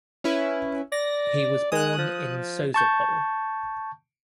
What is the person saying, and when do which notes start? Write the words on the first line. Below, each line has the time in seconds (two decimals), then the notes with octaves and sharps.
He was born in Sozopol.
0.24 C#4 E4 B4
0.92 D5 A#6
1.72 G#3 D#6 F#6
1.98 F3
2.74 A5 C#6 G6